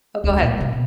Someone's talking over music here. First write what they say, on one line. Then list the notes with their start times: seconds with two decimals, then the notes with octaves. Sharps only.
Oh, go ahead.
0.24 D2 G#3
0.38 D2 A#2
0.58 G2 C3
0.73 B2